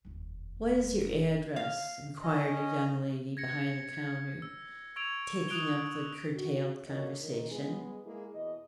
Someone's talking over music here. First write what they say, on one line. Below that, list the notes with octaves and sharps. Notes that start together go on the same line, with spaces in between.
"What is your address?" inquired a young lady behind the counter, taking up the curtailed conversation.
F1 D#2
F5
C#4 D#5
G#6 A#6 C#7
E6
C#6 E6 G#6 D7 F7
C#6 D#6 F#6 D7 F7 G7
F#4
F2 D3 F#3 A#3 C#5 D#5
D#3
G#3 B3 G#4
G#3 A#3 E4 G#4
E2 B2 E3 D#5